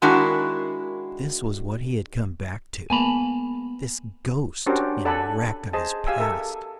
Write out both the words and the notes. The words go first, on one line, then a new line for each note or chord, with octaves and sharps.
This was what he had come back to--this ghost and wreck of his past!
D#3 G#3 D4 E4 F#4 A#4
G#3 A#3 B3 G#5 A5 B5
C#4 D4 F#4 G4 A#4 C5
A4 D5 F#5 G#5 A5 B5
G#4 C5 D#5 A5
G4 F5 G#5 E6
A4 A#4 E5